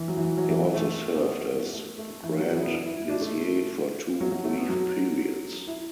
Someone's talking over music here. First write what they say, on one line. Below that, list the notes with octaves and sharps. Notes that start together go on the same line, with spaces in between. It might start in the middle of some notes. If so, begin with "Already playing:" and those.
He also served as Grand Vizier for two brief periods.
Already playing: E3
F#3
E3
F#3
F#3
E3
F#3
A3
B3
A3
A3
A3
E3
F#3
E4
B3
D4
E4
E4
D4
A3
F#3
F#3
A3
B3
F#3
E4